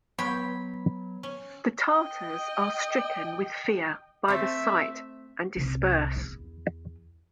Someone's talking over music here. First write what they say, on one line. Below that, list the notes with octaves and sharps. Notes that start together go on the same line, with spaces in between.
The Tatars are stricken with fear by the sight and disperse.
F#3 B3 C#5 G5 B5 C6
C#4
D#5 G5
A3 C4 E5
C2
E2